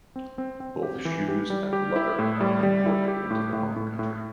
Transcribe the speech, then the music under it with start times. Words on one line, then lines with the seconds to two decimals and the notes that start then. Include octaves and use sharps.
Both shoes and leather are imported into the home country.
0.16 C4
0.38 C4
0.60 C4
0.83 G4
1.05 E3
1.28 G4
1.50 G3
1.73 G4
1.96 E4
2.19 A2
2.41 G3
2.63 G3
2.86 E4
3.08 G4
3.31 A2
3.53 A2
3.76 A2
3.99 A2